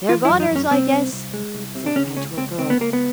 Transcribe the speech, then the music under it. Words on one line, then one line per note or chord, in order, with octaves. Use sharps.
"They're goners, I guess," said the Patchwork Girl.
E3 F4
E4
F#2
D#4
F#2
C#4
C2 C4
C2
C2
G#3
C2
C3
D4
C#3 C#4
C#2 C#4
C#2 C4
C#2 C4
B3
C#2 A#3
B3